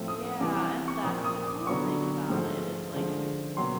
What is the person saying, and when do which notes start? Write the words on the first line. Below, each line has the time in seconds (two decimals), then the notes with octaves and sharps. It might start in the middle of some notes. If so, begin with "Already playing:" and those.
Yeah, and that's the cool thing about it is like,
Already playing: A2 F3 A3 C4
0.08 D#6
0.40 C3 E3 G3 D6
0.88 C#6
1.03 A#2 F3 A#3 D#6
1.25 D#6
1.46 D6
1.67 D3 F#3 B3 C#6
2.30 G#2 F3 A3
2.93 D3 F3 G#3
3.57 B2 F#3 A#3 C6